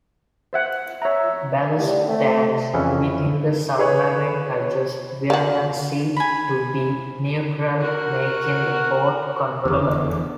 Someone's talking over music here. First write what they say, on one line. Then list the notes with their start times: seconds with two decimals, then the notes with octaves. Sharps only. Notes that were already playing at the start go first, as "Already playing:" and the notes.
Ballast tanks within the submarine adjust buoyancy to be neutral, making the boat controllable.
0.53 C5 E5 F#5
1.02 C#5 E5 A#5
1.76 A2 D3 G3 D4
2.08 A3 C4
2.74 F2 C#3 E3 C#4 E4 A4
3.78 G#4 B4 C#5
5.30 A#3 F#4
6.16 G#5 B5
7.81 F#4 A#4
9.65 F1 E2 D3 B3 D6